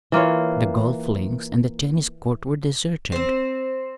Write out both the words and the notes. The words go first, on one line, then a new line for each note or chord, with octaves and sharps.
The golf links and the tennis court were deserted.
E3 A#3 F4 C#5
C4 C5